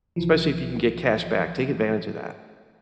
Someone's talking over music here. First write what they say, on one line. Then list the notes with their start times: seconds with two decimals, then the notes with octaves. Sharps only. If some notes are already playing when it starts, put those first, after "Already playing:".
especially if you can get cash back, take advantage of that.
0.16 C2 E3 F3